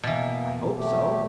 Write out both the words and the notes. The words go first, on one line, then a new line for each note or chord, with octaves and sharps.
"I hope so."
B2 E3 A#3
F#3 A3 G4